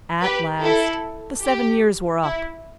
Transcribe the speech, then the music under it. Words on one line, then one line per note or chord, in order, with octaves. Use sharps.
At last the seven years were up.
G4 B4
E4 A4
G4
E4